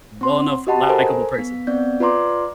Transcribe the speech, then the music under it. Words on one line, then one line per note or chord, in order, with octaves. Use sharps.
well-enough, likable person.
C4 C6
F#4 G4 D#5 F#5 A5 B5
A4 A#4 C5 G#5 A#5
B3 B6
B3 C4 D5 G6
F4 B4 D5 A#5 C6 D6